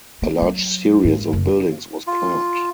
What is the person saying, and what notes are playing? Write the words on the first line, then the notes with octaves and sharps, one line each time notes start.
A large series of buildings was planned.
A#3
F#3
G#2
F#1
F4